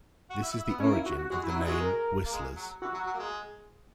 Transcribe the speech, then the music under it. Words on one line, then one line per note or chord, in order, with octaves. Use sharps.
This is the origin of the name "whistlers".
F#4
E4
E4
B3
A#3 C#4
E4
F#4
F#4
G#3 F#4
E4
F#3
E4
G#3 F#4
A#4
A#3
G#3
F#3
E3 F#4
F#3
F#3
A#3
G#3